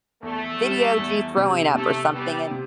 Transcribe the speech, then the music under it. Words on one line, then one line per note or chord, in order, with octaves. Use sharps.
videoed you throwing up or something, and
E2 A3
G3
E2
C3
C3 A3
G3 B3
C3